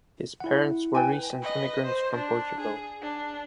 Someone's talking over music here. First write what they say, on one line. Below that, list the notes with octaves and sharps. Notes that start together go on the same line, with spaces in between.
His parents were recent immigrants from Portugal.
E4 F#5
B4 G5 G#5
B4 D#5
C5
D4
G#4
D4